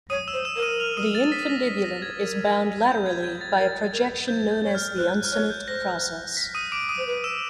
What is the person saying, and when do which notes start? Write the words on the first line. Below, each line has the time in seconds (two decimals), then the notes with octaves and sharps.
The infundibulum is bound laterally by a projection known as the uncinate process.
0.10 C#5 D#6 D#7
0.28 E6 E7
0.33 C5
0.45 E6 E7
0.57 A#4
0.62 D#6 D#7
0.80 F6 F7
0.97 D#6 D#7
1.15 A6
1.32 B6
1.50 A#6
1.67 B6
1.84 A#6
2.02 G#6
2.19 A#4
2.89 G6
3.06 G#6
3.23 G#6
3.41 A6
3.58 A#4 A6
3.93 A#4
4.28 C5 G6
4.51 G6
4.63 C#5
4.75 F6
4.98 C5 F#6
5.15 F#6
5.25 F6
5.32 C#5 F#6
5.50 G6
5.68 C5 A#6
6.37 B6
6.55 D#6 D#7
6.72 D6 D7
6.89 D#6 D#7
6.98 C5
7.07 B4
7.24 E6 E7